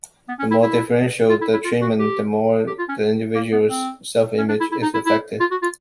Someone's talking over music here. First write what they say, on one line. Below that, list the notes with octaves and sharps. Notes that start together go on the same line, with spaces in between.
The more differential the treatment, the more the individual's self-image is affected.
B3
C#4
E4
E4
F4
E4
E4
F4
F#4
G4
G4
F4
C#4
A#3
B3
C4
C#4
D4
E4
E4
D#4
E4
E4
F4
F#4
F4